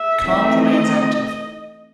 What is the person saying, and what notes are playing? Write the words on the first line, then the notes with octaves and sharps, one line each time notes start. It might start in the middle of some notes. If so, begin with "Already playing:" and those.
Karp remains active.
Already playing: E5
E3 A3 C4 D#4
D#5